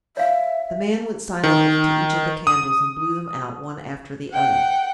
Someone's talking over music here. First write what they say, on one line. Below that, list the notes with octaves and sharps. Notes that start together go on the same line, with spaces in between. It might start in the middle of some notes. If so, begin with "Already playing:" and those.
The man went silently to each of the candles and blew them out one after the other.
C#5 E5 F5
D#3
D#6
F#5 G5